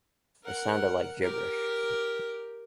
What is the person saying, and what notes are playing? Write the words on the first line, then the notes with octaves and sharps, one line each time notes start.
It sounded like gibberish.
A#4 F#5
G4 A#4